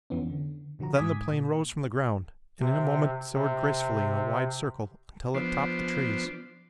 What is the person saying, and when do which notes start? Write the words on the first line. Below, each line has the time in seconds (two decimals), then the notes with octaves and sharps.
Then the plane rose from the ground and in a moment soared gracefully in a wide circle until it topped the trees.
0.10 F2 E3 B3 C#4
0.30 D3
0.79 A#2 D3 F3 F#4 A#5
0.96 G#2 G#5 D6 D#6 G#6 B6
1.32 A#2
2.61 C3
3.34 C3
5.34 F3 B3 D4 C5